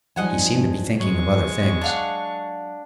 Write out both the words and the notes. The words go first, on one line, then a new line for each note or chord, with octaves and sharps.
He seemed to be thinking of other things.
F3 G3 D#4 D#5 F#5 G#5
F#3 G#3 C#6
D4 F5 F#5